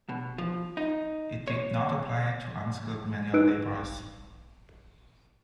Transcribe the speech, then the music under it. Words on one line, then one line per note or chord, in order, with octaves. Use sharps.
It did not apply to unskilled manual labourers.
B2
F3
D#4
C#5
D#4 B4 E6 F#6 D7